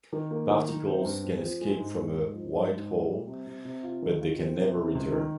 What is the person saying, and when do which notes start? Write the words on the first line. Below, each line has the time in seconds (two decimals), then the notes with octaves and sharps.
Particles can escape from a white hole but they can never return.
0.13 D#3
0.31 A#3
0.50 D#3
0.69 D#4
0.87 C4
1.05 G2
1.24 C4
1.42 F3
1.61 G#3
1.79 G#2
1.98 G#2
2.16 G#2
2.34 F3
2.53 G#2
2.72 G#2
2.90 F3
3.09 G3
3.27 C3
3.47 C3
3.65 C3
3.83 F4
4.02 D#3
4.20 F4
4.38 C4
4.58 C3
4.76 C3
4.95 C#2
5.13 D#3